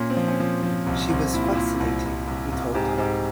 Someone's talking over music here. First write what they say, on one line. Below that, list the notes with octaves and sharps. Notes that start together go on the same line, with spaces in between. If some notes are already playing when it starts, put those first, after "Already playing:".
She was fascinating, he told her.
Already playing: A#2 C#4
C4
F3
C#4
F3
F3
C2
C2
A#2 E4
F4
A#2 E4
C2
C2
C2
C2
G#2 G4
G#4
G#2 G4